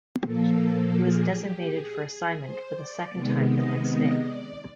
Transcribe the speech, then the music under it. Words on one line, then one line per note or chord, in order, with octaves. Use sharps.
He was designated for assignment for the second time the next day.
A#2 F3 A#3 A4
G#4
G4
G#4
G#4
C5
D5
C3 D#3 G#3 B3
D#5
D#5
D5